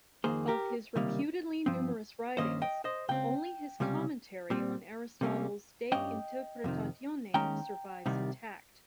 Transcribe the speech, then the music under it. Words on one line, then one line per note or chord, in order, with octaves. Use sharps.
Of his reputedly numerous writings, only his commentary on Aristotle's "De Interpretatione" survives intact.
F2 D#3 A#3 G#4 C5
G4 A#4
C#2 C3 D#3 G3 A#3
G2 F3 C4
G2 D#3 A#3 C#4 C5 D#5
D#5 G5
C5 D#5
C#2 C#3 C4 G5
C#2 C3 G3 C#4
A#2 G3 C4
C3 G3 A#3 C#4
G2 G3 C#4 D#5 G5
F2 C3 D#3
D#2 D#3 G#3 C#4 G5 A#5
C2 C3 D#3 G3